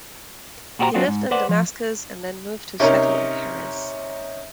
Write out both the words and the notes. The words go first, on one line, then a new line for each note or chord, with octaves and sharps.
He lived in Damascus and then moved to settle in Paris.
A#2 F#4 G4 C5 D5 A#5
F#3 C4 D4 F4 F#4 G#4
G#2
B4 C5 D5 F#5
F3
C3 C#4 D#4 A#4